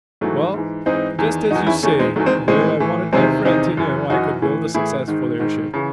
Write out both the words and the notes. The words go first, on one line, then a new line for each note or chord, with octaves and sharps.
"Well, just as you say, though I wanted my friend to know I could build a successful airship."
G#2 E3 F#3 A3
G#2 E3
G#2 E3 C4 D#4
E2 D#3
E2 D#3 D#4 F#4
C#4 E4
E2 D#3 A3 C#4
G#3 C4
E2 D#3 F#3 A3
G#3 C4
A2 E3 G#3 C4
A2 E3
E2 C3 D#3 G#3 C4
E2 C3 D#3 C4 D#4
F#2 E3
F#2 E3 D#4 F#4
A2 E3
A2 E3 E4 G#4
G#2 D#3
G#2 D#3
C#3 E3